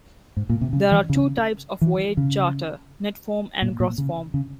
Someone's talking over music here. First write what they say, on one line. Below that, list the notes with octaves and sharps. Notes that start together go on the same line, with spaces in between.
There are two types of voyage charter - net form and gross form.
G#2
A#2
C3
C#3
E3
C#3
E3
C#3
A#2
A#2
C#3
C#3